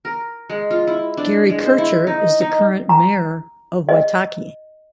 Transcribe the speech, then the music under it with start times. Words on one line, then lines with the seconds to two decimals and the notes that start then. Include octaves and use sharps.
Gary Kircher is the current mayor of Waitaki.
0.05 A#4
0.49 G#3
0.71 F4
0.87 E4
1.17 D4
1.50 G#3
1.63 C5
1.78 E4
2.07 D#4
2.41 D#4
2.89 A#5
3.89 D#5